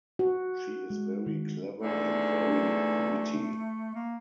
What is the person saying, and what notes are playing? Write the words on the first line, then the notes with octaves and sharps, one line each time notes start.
She is very clever and very witty.
F#4
G#3
D#3
E2 G#2 D3 A3
A#3